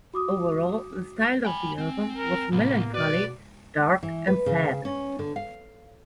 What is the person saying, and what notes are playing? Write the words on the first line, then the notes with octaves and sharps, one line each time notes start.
Overall, the style of the album was melancholy, dark and sad.
F#4 D6 D#6
G5 G#5 B5
C4
A#4
C2 A2 A#3 B3
B2 F#4 B4 D5
E3
B4
C#3
C#4
D3
F5